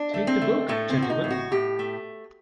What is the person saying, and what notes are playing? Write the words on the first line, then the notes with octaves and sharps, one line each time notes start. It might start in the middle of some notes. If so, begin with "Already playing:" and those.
Take the book, gentlemen.
Already playing: D4
A3
C4
A3
A2 A3
C4
A2
F#4
D#4
A2
F#4
A2 G4
A3